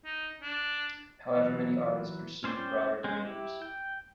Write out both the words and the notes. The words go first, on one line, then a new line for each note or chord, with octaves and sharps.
However many artists pursued broader themes.
D#4
D4
E3 F#3
C#4 C5 D5 G5 C6
G#3 C4 C#4 C5
E4 G4
G5